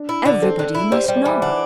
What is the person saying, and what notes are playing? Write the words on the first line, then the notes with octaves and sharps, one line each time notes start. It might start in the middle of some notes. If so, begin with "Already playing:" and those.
Everybody must know.
Already playing: D4
E4
D3
C4 A4
D3
E4
G3 C5
G3 C5
D5
E3 E5
D4 F#5